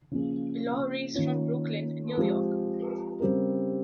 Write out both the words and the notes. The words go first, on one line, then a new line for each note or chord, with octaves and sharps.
Loughery is from Brooklyn, New York.
C#3 F3 A#3 C#4 G#4
D#3 A#3 C#4 F4
F3 G#3 C4 G4
C#3 G3 C4 G4 A#4